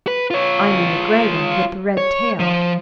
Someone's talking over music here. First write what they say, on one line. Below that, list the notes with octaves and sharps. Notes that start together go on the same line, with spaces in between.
I mean the grey one with the red tail.
B4
F4 C#5
C#5
F3